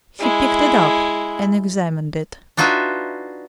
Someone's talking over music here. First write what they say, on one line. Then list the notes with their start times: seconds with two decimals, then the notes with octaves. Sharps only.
He picked it up and examined it.
0.20 G#3 E4
2.57 D4 D#4 F4 F#4 B4 E5